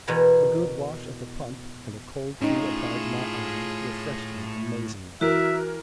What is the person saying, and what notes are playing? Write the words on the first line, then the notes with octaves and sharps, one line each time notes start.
A good wash at the pump, and a cold key applied to my eye, refreshed me amazingly.
E2 B2 A#4 C#5 B5
A2 C#4 D#4 F4 G#4
E3 F#4 A#4 E5